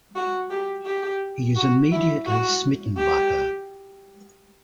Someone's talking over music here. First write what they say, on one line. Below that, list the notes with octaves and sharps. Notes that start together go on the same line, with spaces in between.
He is immediately smitten by her.
F#4
G4
G4
F#4
E4
F#4
G4